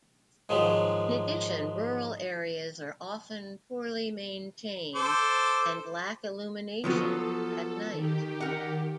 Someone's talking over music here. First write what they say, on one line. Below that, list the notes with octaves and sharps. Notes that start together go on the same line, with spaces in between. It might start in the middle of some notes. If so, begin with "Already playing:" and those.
In addition, rural areas are often poorly maintained and lack illumination at night.
G#2 D#3 F3 F#3 G#3
A4 C5 D6
F3 F#3 B3 A4
D#3 G4
A#4 F#5